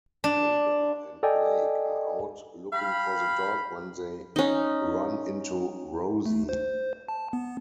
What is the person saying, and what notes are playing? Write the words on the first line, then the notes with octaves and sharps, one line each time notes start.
Radar and Blake are out looking for the dog when they run into Rosie.
D4
A4 D5 D#5 G5 G#5
F5 G5 B5
C#4 D#4
A3
C5
A5
B3